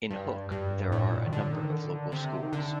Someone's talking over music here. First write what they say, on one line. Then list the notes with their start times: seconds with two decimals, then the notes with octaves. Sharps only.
In Hook, there are a number of local schools.
0.10 G2
0.51 G2
0.92 A2
1.11 A#2
1.26 D#3
1.32 D3
1.53 D#3
1.72 D3
2.12 C3
2.42 D#3
2.53 D3